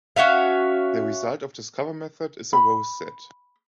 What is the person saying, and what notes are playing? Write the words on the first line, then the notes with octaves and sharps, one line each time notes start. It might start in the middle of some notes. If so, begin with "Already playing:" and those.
The result of Discover method is a rowset.
C#4 F#4 E5 F5
B5